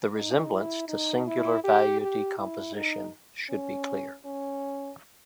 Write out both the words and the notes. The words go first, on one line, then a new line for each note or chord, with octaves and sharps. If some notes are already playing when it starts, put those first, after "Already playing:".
The resemblance to Singular Value Decomposition should be clear.
D#4
E4
D#4
E4
G4
G4
E4
D#4
C#4
C#4